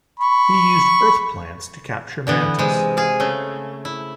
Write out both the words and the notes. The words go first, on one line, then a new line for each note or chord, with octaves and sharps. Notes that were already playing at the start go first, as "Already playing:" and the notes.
He used Earth plants to capture Mantis.
B5 C#6
D3 E3 B3
C3 G#3
G#4 F5
C#3 A3
E4